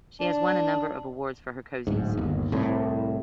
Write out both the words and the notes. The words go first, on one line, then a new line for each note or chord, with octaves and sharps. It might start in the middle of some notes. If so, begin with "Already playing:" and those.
She has won a number of awards for her cosies.
D4
D1 G#2
G1 D#2
C2 A2